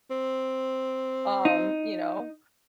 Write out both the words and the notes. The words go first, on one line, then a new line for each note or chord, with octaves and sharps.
um, you know?
C4
D#4